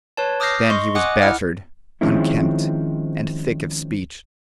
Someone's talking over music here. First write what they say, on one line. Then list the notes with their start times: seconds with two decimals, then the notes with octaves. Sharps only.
Then he was battered, unkempt, and thick of speech.
0.17 B4 C#5 A5
0.40 D6 D#6 F6 G6 A#6 C7
0.69 D#5 C6 C#6
0.95 D#5 F#5 G#5 D6 D#6 F#6
1.22 E4 F#5 F6
2.01 D#3 F3 G#3 C4 C#4 E4